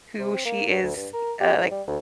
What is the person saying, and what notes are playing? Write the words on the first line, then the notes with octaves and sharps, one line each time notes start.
who she is, uh, like,
C3
C4
A#3
G2
D2
G2
A#4
G4
G#2
G3
D2